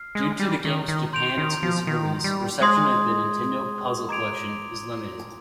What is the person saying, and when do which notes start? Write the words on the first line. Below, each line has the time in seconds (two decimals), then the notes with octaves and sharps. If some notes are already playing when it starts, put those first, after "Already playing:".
Due to the game's Japan-exclusive release, reception of "Nintendo Puzzle Collection" is limited.
Already playing: F6 C7
0.15 G#3
0.39 G3
0.65 D#3
0.88 D#3
1.13 C6 G6 D7 F7
1.38 D#3
1.63 F3
1.87 D#3
2.24 G3
2.61 G#3 C6 D#6 G#6
4.09 A#5 D6 G#6 D7 F7